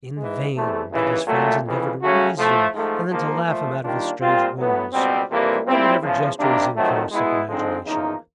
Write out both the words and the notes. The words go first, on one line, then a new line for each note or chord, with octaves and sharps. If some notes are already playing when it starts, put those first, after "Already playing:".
In vain did his friends endeavor to reason, and then to laugh him out of his strange whims; for when did ever jest or reason cure a sick imagination?
G#2 E3 G#3
E2 C3 E3 A3
D#2 C#3 E3
A#2 F#3 A3
F2 C#3 E3
C#3 F#3 A3 C#4 F#4
A2 F3 A3
G#2 F3 A3
G#2 F3 A#3
A#2 F3 A3
D#3 G3 A#3 D4 F4
A#2 G3 C4 F4
A2 F#3 B3
C#2 B2 G3 C4
F2 C3 E3 G3 A#3
A#2 G3 C4 E4
E2 C#3 F3
C3 D#3 G3 A#3 D4
F2 C3 D#3 F#3 A3
B2 G#3 B3 E4
D3 F3 G#3 C4 D#4
E2 C#3 F3 A#3 D#4